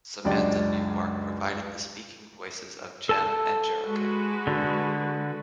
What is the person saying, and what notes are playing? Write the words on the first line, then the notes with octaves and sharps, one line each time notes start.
Samantha Newark provided the speaking voices of Jem and Jerrica.
C#2 F#2 G#3 D4 G4 D5
A4 A5
G#3 F#4 B4
D3